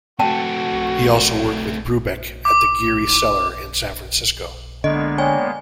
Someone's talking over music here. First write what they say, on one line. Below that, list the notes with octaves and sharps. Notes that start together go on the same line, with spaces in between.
He also worked with Brubeck at the Geary Cellar in San Francisco.
A3 C4 F#4 G5 A5
D6
D3 G#3 A#3 B3 D#5
C#5 D5 G5 G#5